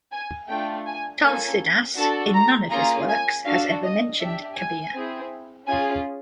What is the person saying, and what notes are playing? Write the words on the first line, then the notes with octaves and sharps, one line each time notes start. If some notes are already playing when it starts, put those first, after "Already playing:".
Tulsidas, in none of his works, has ever mentioned Kabir.
G#5
A3 D4 F4 G5
G#5
A#3 C#4 F4 A4 G#5
D4 F#4 A4 A5
A#5
A#3 C#4 F4 G#4 A#5
G#5
D4 F#4 A4 F5
D#5
D4 G4 E5
G#5
C4 E4 G#4
C#4 F4 G#4 G#5